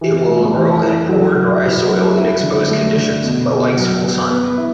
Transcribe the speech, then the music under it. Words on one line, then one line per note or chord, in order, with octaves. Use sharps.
It will grow in poor dry soil in exposed conditions, but likes full sun.
E3
A3
E3
E3
F#3
F#3
E4
F#3
E4
D3
A3
D3
B2
B2
F#3
B3
B3
E4